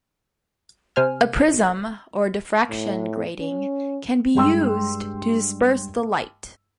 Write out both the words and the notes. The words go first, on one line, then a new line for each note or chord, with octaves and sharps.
A prism or diffraction grating can be used to disperse the light.
C3 C5 G#5 F6
A2
C#4
G2 G#3 G5 C6 E6